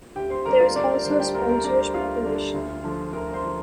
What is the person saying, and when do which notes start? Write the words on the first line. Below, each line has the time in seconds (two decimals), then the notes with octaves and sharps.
There is also a small Jewish population.
0.16 D2 G4 G5
0.30 C5 C6
0.45 D3 G3 D4 A#4 A#5
0.60 F4 F5
0.76 D2 D4 D5
0.91 A#4
1.05 D3 G3 D4 C5
1.20 G4 G5
1.34 D2 A#4 A#5
1.49 A#4 A#5
1.64 D3 G3 D4 A#4
1.80 C5
1.94 D2 F4 F5
2.25 D3 G3 D4
2.54 D2
2.84 D3 F3
3.13 D2 A#4 A#5
3.34 C5 C6
3.43 D3 F3